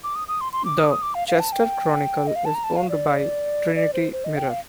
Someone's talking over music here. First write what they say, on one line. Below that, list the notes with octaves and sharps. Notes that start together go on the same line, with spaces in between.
The "Chester Chronicle" is owned by Trinity Mirror.
D6
D#6
D#6
C6
C6
D6
D#6
D#6
D6
F5
F5
A5
G5
D#5
F5
A5
A#5
A5
F5
D5
D5
C5
C5
D#5
G5
F5